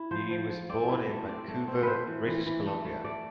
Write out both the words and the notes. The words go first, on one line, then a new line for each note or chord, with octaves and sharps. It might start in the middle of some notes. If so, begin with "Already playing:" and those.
He was born in Vancouver, British Columbia.
Already playing: E4
F3 C5
F3
F3
C4 D5
E4
A3
C4 D5
A3
C4
A3 B4 C5
E3
E3
E3
A3
A3
A3 D5